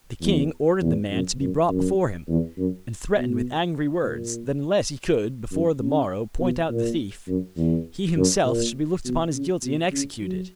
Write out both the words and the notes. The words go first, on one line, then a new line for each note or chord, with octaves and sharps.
The king ordered the man to be brought before him, and threatened with angry words that unless he could before the morrow point out the thief, he himself should be looked upon as guilty and executed.
E2
E2
F#2
F#2
F#2
E2
F#2
B2
A#2
F#2
C#3
B2
A#2
F#2
E2
F#2
A#2
B2
C#3
B2
C#3
F#3